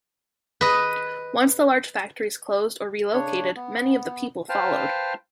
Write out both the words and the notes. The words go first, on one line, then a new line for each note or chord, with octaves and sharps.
Once the large factories closed or relocated, many of the people followed.
B4 D#5
C#3 D4 C#5
B3
B4 C5 F5 G5 A5 F6